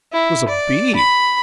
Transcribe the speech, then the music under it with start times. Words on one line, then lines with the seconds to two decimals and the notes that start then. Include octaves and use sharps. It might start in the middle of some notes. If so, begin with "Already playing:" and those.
It was a bee.
0.13 E4
0.48 D5
0.95 B5